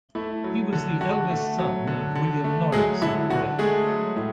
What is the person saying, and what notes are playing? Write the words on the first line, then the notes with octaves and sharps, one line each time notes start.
He was the eldest son of William Norreys of Bray.
A3 E4
F#3
D3
D3 F#4
A3
F#3
D3
D3
A3
F#3 G#3 G#4
D3 E4
D3 F#4
G#3 A3 G#4
F#3
A2